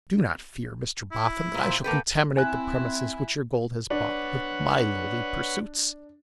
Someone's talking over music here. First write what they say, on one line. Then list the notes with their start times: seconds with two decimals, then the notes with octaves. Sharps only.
Do not fear, Mr Boffin, that I shall contaminate the premises which your gold has bought, with MY lowly pursuits.
1.12 E4
1.54 A#2 C5
1.84 A#3 A4 B4 G5
2.37 C4 E4 G#5 F#6
3.90 D4 B4 C#5 F#5